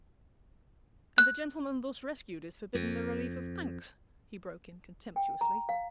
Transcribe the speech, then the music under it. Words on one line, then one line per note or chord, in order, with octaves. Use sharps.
'And the gentleman thus rescued is forbidden the relief of thanks!' he broke in contemptuously.
F#6
F2
G5
A#5
F5